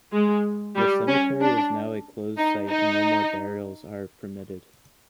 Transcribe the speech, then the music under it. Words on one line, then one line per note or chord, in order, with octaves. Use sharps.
The cemetery is now a closed site and no more burials are permitted.
G#3
G3
C#4
D4
D#4
D#4